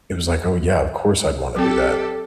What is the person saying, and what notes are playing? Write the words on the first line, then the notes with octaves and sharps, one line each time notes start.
it was like, "Oh yeah, of course I'd wanna do that."
F#3 C4 G4 A4